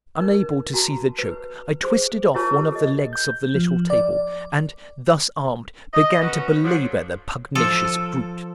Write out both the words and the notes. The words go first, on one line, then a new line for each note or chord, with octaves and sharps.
Unable to see the joke, I twisted off one of the legs of the little table and, thus armed, began to belabor the pugnacious brute.
D#4 A#4
F#4 A5 A#5
B4
G#4 C5
E4 F4 G4 A#4 C#5 A5
A4 D#5
G6
F3
D5
D#5
C#4 F#4 B4
D3 F3 F#3
F3 A4